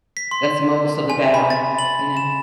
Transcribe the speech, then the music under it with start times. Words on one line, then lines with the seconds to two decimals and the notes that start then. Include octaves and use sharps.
That's most of the battle, yeah.
0.17 B6
0.31 C6
1.10 G#5
1.34 B5
1.50 A6
1.79 F#7
2.17 E7